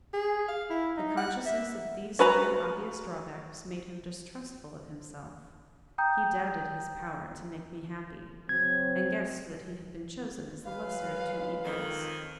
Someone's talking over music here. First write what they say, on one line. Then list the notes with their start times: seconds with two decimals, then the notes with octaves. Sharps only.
The consciousness of these three obvious drawbacks made him distrustful of himself; he doubted his power to make me happy, and guessed that he had been chosen as the lesser of two evils.
0.14 G#4
0.48 F5
0.70 E4
0.97 D#4
1.17 F#5
1.46 E5
2.19 F#4 B4 A#5
5.98 G5 A#5 D#6 G6
8.49 C#3 F#3 C4 G#6
10.65 F#3 G#3 B4 F5
11.64 F2 D#3